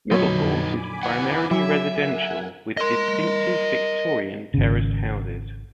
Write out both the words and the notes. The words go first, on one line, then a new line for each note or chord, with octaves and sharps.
Middleport is primarily residential, with distinctive Victorian terraced houses.
F2 A#2 D3 F#3 D#4 B4 C#5
G#5 B5 D6
E4 B4 F#5
F#3 E5
A#4 F#5 G#5
A#4 D#5 C6
G#1 C#3